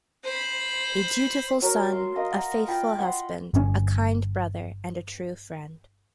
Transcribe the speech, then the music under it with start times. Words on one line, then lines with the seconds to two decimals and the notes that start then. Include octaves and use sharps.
A dutiful son, a faithful husband, a kind brother, and a true friend.
0.24 C5 B5
1.62 F#3 A#4
1.92 C6
2.16 A#4 D#5 F5
2.31 F#5 A#5
2.68 F4 G5 B5
2.99 F#5 B5 C6
3.54 G1 C#4